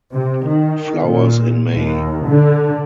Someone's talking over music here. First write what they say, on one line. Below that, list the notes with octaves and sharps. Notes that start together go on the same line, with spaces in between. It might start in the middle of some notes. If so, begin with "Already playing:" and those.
Flowers in May.
C3
D#3
A#2
D#2
D3